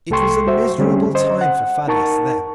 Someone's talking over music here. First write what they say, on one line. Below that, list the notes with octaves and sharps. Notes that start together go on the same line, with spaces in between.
It was a miserable time for Thaddeus then.
C2 A3 A4 G5 C6 C#6
F#4 C5 E5
D3 G3 C4 C#4 G4 G#4
C5 D#5
F#5
D#4 A#4 A5 C#6